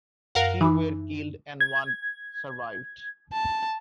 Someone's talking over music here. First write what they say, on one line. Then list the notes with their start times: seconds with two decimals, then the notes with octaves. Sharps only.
Three were killed and one survived.
0.35 F#2 A#4 F5 F#5
0.61 E3 D#4 B5 D6
1.60 G#6
3.33 A5